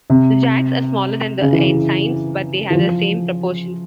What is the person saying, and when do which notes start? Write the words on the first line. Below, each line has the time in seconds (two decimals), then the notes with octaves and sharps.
The jacks are smaller than the ensigns, but they have the same proportions.
0.10 C3
1.42 C#3
1.53 E3
1.63 C#3
2.70 E3
2.75 F3